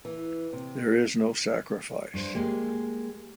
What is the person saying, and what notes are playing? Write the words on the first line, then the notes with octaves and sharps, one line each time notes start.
There is no sacrifice.
E3
C3
G2 C5
G#3 A#3 G4